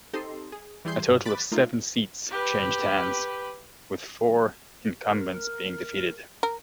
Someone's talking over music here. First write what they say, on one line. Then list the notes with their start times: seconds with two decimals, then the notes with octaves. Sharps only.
A total of seven seats changed hands, with four incumbents being defeated.
0.13 C4 D#4 G4 A4 D#5 C6
0.52 G#4
0.85 E3 G3 E4 G#4 C6 G6
1.10 G2
1.25 B5 D6 F#6 A6
1.52 A3 A#3 D#4 F4
2.31 G4 B4
5.02 A#4 F6
6.43 A#4